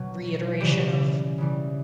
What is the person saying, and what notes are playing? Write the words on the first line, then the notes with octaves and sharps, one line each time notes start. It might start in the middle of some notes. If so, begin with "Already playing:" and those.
reiteration of
Already playing: B2 F#3
C#3 E3 G3 G4
C#3 E3 G3